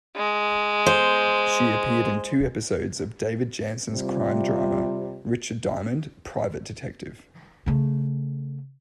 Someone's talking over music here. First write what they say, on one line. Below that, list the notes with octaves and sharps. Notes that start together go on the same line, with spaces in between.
She appeared in two episodes of David Janssen's crime drama, "Richard Diamond, Private Detective".
G#3
C5
C3 G3 F4
C#3 A3